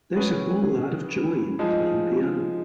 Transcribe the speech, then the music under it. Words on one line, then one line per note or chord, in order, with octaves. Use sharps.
There is a whole lot of joy in playing piano.
F#3 C#4 G#4 B4
F3 G#3 D#4